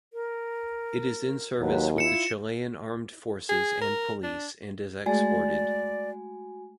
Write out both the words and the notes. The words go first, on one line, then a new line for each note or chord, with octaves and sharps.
It is in service with the Chilean armed forces and police and is exported.
A#4
D#2 F#3 B4
E4 F4 C#7 E7
G#4
A#4
D4
G#3 A3 F#4 G#4 D5 G#5